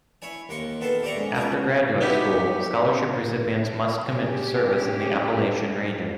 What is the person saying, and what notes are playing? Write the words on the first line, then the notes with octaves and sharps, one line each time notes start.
After graduate school, scholarship recipients must commit to service in the Appalachian region.
E4 C#5 G#5
D#2 A#3 C6 C#6
D#3 B3 A4 E5 C6
G4 C5 D5 E5 A#5 C#6
G#2 C#4
C#4 F4 A#4
B3 D#4 E4 F#4 G4
C#4 G4 G#4